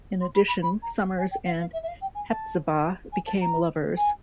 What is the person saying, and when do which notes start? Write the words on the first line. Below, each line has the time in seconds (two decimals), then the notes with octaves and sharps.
In addition, Summers and Hepzibah became lovers.
0.21 C6
0.34 B5
0.47 B5
0.62 B5
0.82 A#5
1.18 G#5
1.31 G5
1.45 F#5
1.60 F5
1.73 E5
1.83 E5
1.88 F5
2.01 G5
2.14 G#5
2.29 A5
3.12 G#5
3.26 A5
3.41 A#5
3.97 G#5